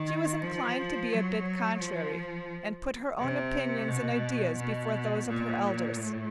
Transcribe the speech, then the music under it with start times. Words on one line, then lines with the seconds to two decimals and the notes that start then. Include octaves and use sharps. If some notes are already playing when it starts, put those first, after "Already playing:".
She was inclined to be a bit contrary, and put her own opinions and ideas before those of her elders.
Already playing: D#3
0.42 F3
1.12 F#3
1.81 F3
3.19 C3
3.88 B2
4.58 B2
5.27 A#2
5.97 A2